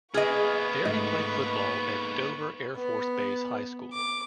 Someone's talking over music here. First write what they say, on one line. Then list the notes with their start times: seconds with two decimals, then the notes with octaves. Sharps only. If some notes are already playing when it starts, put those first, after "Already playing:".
There he played football at Dover Air Force Base High School.
0.14 A#3 B3 G#4 B4 D#5 C#6 F6
0.85 G#2 A3 D#5
2.76 B3
3.93 D6